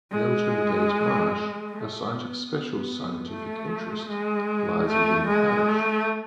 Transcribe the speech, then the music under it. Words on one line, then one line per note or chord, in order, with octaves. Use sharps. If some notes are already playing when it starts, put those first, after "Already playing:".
Milton Gate Marsh, a Site of Special Scientific Interest, lies within the parish.
G#3
A3
B3
B3
A3
G#3
A3
G#3
A3